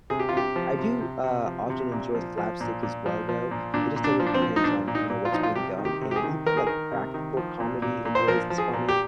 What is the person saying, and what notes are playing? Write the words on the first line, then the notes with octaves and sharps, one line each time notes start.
I do, uh, often enjoy slapstick as well, though, it just totally depends on, you know, what's being done and even, like, practical comedy in ways is funny,
C3 G#4
G4
F4
C3 G4
F3
C3
C3
C3
F3
C3
A#2
F3
F3
A#2
A#2
F3
F3
A#2
A#2 D4
A#2
D4
F3
D4
C4
F3
D#4
A#2 D4
A#2
D#4
A#2
F4
F3 D#4
F4
C3 G4
D#3
G4
C3
G4
G#4
D#3
D#3 A#4
G#4
D#3 A#4
C3
D#3
F3
A#2
A#2
A#2
C5
F3 A#4
F3
G#4
A#2
G4